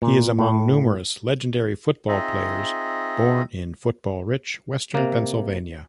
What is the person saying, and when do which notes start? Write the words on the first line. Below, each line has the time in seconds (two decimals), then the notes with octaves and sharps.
He is among numerous legendary football players born in football-rich Western Pennsylvania.
0.02 A#2
0.39 A2
2.08 C4 D#4 F4 G#4 D#5 E5
4.95 C3 A#3